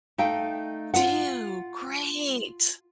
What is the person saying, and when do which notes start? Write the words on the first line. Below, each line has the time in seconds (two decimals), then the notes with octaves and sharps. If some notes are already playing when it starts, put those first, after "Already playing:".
Do you? Great!
0.18 A3 D#4 F5 G5
0.94 F4 F#5